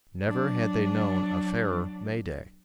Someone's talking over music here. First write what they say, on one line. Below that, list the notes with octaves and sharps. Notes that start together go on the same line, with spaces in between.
Never had they known a fairer May-day.
F#3 D4